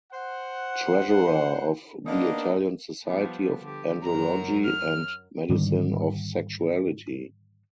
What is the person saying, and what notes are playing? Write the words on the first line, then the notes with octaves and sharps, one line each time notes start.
Treasurer of the Italian Society of Andrology and Medicine of Sexuality.
C5 F#5
A#3 B3 D4 D#4 A#4 D#5
F3 G3 B3
D3 G4
F#2 F#3 A#4 A#5
F6
G#2 D3 D#3 G3